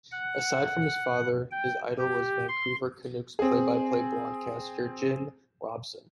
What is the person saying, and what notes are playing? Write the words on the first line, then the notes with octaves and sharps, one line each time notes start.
Aside from his father, his idol was Vancouver Canucks play-by-play broadcaster Jim Robson.
F#5
G5
G4
C6
C4 G#4